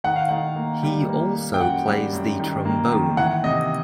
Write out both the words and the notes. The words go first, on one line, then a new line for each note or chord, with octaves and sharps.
He also plays the trombone.
D#3 F#5
F5
D#3 F#5
A#3
G3
A#3
A#3
G5
F#2 F#5
G3
F#2
D#3
A#3
D#3
E3 F#5
C3 D#5